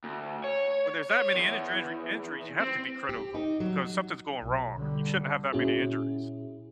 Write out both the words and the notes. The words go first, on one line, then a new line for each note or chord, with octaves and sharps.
when there's that many integer injury injuries, you have to be critical, because something's going wrong. You shouldn't have that many injuries.
D2
C#5
C#5
E2
C4
G4
D#4
F#3
B1
D3 G3
A#2 C#4 E4 F#4 G#4